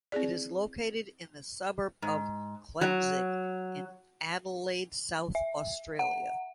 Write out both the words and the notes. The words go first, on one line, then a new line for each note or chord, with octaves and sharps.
It is located in the suburb of Klemzig in Adelaide, South Australia.
C4 E4 G#4 D5
G#2
F#3
E5
F#5